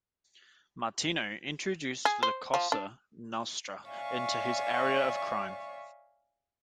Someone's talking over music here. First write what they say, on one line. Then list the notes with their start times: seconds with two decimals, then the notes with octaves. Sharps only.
Martino introduced the Cosa Nostra into this area of crime.
2.05 G#4
2.23 C5
2.54 F3
2.72 D4
3.89 C#5 D5 E5 F5 G#5 C#6